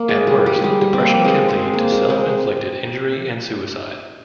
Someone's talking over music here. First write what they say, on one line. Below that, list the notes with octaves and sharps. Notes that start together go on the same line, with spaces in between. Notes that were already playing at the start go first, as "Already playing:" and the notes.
At worst, depression can lead to self-inflicted injury and suicide.
Already playing: A#3
G#3
G3
G3
G#3
G3
G3
C4
A#3
G#3 C4
G#3 C4
A#3
G#3
G#3 C4